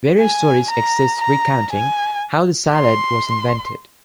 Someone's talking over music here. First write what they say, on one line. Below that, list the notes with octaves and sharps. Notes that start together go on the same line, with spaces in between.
Various stories exist recounting how the salad was invented.
G#5
A#5
A#5
G#5
C6